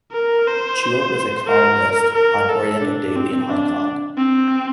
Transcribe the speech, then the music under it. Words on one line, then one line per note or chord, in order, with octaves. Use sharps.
Chua was a columnist on "Oriental Daily" in Hong Kong.
A#4
C5
A#4
A#4
A4
D4
C4
D4
C4